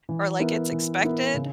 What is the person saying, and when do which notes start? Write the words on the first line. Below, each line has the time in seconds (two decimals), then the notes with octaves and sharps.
or like, it's expected,
0.09 E3
0.40 B3 E4 A#4
0.72 E3
1.04 B3 E4 A#4
1.34 C#3